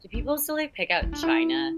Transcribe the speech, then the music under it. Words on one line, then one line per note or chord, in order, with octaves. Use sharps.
do people still, like, pick out china?
D4
E4
D4
E4